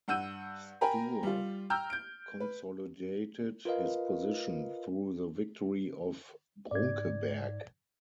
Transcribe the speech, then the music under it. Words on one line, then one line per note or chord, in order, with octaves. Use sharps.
Sture consolidated his position through the victory of Brunkeberg.
G2 F#5 E6 G6 D#7
A#4 G5 G#5 A#5 B5
G3 F4
G5 A#5 E6 F6 G6
G6 D7
B4
F4 A#4 B4 D#5 F5
G#2 D5 G#6